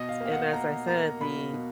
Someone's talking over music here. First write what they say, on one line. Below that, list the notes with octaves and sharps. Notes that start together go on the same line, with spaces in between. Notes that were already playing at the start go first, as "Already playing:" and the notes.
and, as I said, the
Already playing: B2 D#5
F5
A#3 F5
F#5
A#3 A#5
A#3 A#5
B2 B5
B2